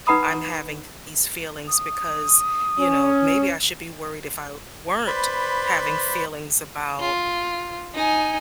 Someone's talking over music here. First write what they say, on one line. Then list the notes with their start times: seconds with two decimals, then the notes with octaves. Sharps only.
I'm having th these feelings because, you know, maybe I should be worried if I weren't having feelings about,
0.07 D#4 B4 F#5 A#5 B5 D#6
1.67 D#6
2.80 C#4
5.07 B4 C5 D5 B5
7.00 F4
7.94 D#4 G#5